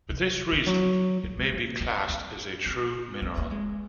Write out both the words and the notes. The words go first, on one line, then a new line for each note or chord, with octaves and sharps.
For this reason, it may be classed as a true mineral.
C3
D#3
F#3
F3
G#3
A#3
C4
C4
C4
C4
A#3
G#3